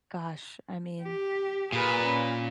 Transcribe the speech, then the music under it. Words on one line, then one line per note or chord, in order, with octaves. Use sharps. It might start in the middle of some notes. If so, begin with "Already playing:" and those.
Gosh, I mean,
G4
A#2 G#4 B4
C#4